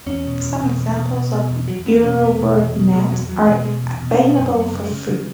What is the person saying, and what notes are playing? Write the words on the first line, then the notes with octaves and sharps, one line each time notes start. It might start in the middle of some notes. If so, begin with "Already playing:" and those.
Some examples of EuroWordNet are available for free.
E2 C#4
B2
E2
B2
E2
B2
B2
B2
E2
E2 F#3
E2 B3
B2 C#4
E2 B3
B2
E2
B2
B2 G#3
E2 F#3
E2 F#3
B2 B3
B2 G#3
E2
B2
C#4
B2
F#2 B3
F#2
B3
C#3
G#3
C#3
C#3 F#3